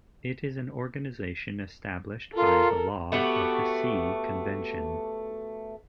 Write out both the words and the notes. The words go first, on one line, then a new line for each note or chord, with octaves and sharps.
It is an organization established by the Law of the Sea Convention.
F4 A4 A#4
A3 B3 F#4 G4